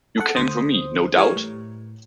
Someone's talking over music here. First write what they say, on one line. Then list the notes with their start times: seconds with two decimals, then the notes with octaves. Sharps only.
You came for me, no doubt?
0.18 A4 F#5
0.35 D2 C5 D#6
1.16 E3 G3 A#4 C#5
1.36 A2